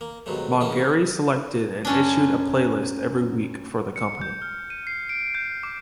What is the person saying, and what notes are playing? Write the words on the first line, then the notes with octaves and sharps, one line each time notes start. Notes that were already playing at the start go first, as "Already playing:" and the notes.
Maugeri selected and issued a playlist every week for the company.
A#3
D#2 G#2 B2 F#3 A3
C#3 E3 A#3 C#4
F#2 C#4 D4
C#7
G6
F6
D#7
C7
D7
G6
D6